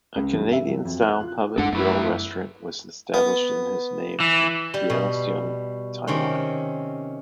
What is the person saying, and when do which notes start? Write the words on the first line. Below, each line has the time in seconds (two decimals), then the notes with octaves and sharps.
A Canadian-style pub and grill restaurant was established in his name in Kaohsiung, Taiwan.
0.16 C#2
0.33 G2
0.52 E5
0.69 F#3
0.85 F2
1.02 F#6
1.21 F4
1.58 F#2 G#3 D4 A4 F#5
1.73 F#2 A3 E4 B4
3.14 B3
4.20 E3
4.74 G3
4.90 B2
6.07 C3 D#3 C4 C#4